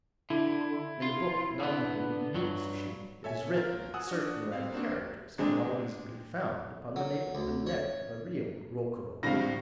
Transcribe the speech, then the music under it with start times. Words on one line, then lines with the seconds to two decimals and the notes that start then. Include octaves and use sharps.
In the book Nan-ho-i-butsu-shi it is written that certain red characters can always be found upon the nape of the neck of a real Rokuro-Kubi.
0.30 D3 E4
1.02 F4
1.60 D3 B3
2.34 G2 F#3
3.24 A4 C#5 E5 G#5
3.56 F#3 F4 A#4
3.94 F#5 G#5 D#6 E6 F#6
4.07 D4 F#4
4.52 G3 C4 F5
4.72 A#3 C4 D4 F#4
5.38 D3 F#3 G#3 C4 D4
6.96 F#3
7.35 D2
7.67 C#5
9.23 A2 D3 G3 C4 F5 A#6